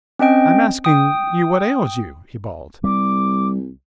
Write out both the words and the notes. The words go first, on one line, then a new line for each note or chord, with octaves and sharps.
"I'm asking you what ails you?" he bawled.
C4 C#4 D#5 G5
G5 D#6
C2 G3 D6